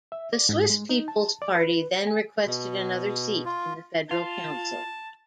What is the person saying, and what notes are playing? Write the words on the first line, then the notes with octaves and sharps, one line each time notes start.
The Swiss People's party then requested another seat in the Federal Council.
E5
D5
G#2
G#3
D#4
A5
D5
B4
G#5
B2
F4
F4 A5